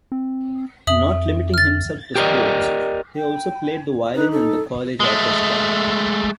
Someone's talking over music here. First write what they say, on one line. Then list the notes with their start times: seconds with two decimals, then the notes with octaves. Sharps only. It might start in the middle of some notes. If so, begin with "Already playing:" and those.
Not limiting himself to sports, he also played the violin in the college orchestra.
0.12 C4
0.87 F2 E5 D#6 F#7
1.54 F6 A6
2.15 G4 G#4 A#4 C5 D5 D#5
3.16 G5
4.15 D#4 B4
4.31 A4
5.00 G#3 A3